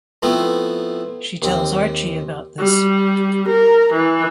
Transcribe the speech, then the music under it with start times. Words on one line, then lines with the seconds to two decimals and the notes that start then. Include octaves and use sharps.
She tells Archie about this.
0.22 F3 A3 B3 C4 E4
1.42 D#2 C4
2.58 G3
3.49 A#4
3.94 E3